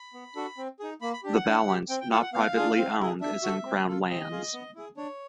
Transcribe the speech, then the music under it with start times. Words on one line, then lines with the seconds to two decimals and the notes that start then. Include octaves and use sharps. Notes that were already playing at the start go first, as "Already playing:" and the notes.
The balance, not privately owned is in Crown Lands.
Already playing: B5
0.14 B3
0.35 D4 F#4 A4
0.58 C4
0.80 D#4 G#4
1.01 A#3 B5
1.13 B5
1.23 D4 G4
1.35 F#5
1.46 D4
1.67 G4
1.89 C4 G5
2.00 G5
2.11 F4 A4 F#5
2.22 F#5
2.33 B3 F5
2.56 D4 F4 G#4
2.77 C4
2.99 E4 G#4
3.21 D4 E5
3.43 F#4 A4
3.65 C4
3.87 F4 A4
4.09 C4 D#5
4.32 F4 G#4
4.53 B3
4.75 E4 G#4
4.97 D4 C#5